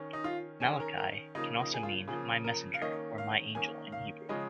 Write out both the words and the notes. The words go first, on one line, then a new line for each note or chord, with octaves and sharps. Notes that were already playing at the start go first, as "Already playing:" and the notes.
Malachi can also mean "my messenger" or "my angel" in Hebrew.
Already playing: D#3 C#4
D#4
F4
D#3 C#4 G#4
G#4
A#4
A#4
C#3 F3 A#3 D#4
D#4
G#4
F4
C#3 F3 A#3 G#4
A#4
F5
D#3 A#3 C#4 D#5
F5
D#3 A#3 C#4 G#5
F5
C#3 F3 G#3 C#4 D#5